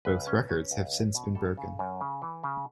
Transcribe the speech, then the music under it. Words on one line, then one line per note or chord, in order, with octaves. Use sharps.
Both records have since been broken.
C#2 B4
C#4
C#4
C#2
C#4
B2
G3 A4
C#3
F#2
C#3
E3
C#3